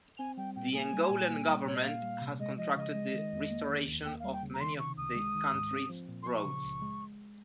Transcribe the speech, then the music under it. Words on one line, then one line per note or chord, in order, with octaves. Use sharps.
The Angolan government has contracted the restoration of many of the country's roads.
C4 G#5
G3 G5
A#2 G5
A#3 G#5
G3
A#2
A#3
G3
A#2 C#5
D#5
A#3 F5
G3
C3
G#3 D#5
F3 D#5
C#3 D#5
G#3
D#3
F2
A#3
D#3
D#2
A#3 G5
G3 F5
G5
C#3
A#5
D#3 C6
C3 C#6
C#2 D#6
G#3
D#3
G#2
C4
F3
A#2
C6
F3 C#6
C#3
C#2
G#3